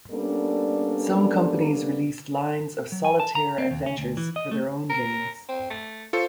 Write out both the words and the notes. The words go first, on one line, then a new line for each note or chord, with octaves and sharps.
Some companies released lines of solitaire adventures for their own games.
G3 A#3 B3 C#4 D4 A4
F#3
G#5
A5
A#5
C4
D#2
C#4
D2
E3
D#5
A3
A#4
C4
A3
F4 A4 C5 C#6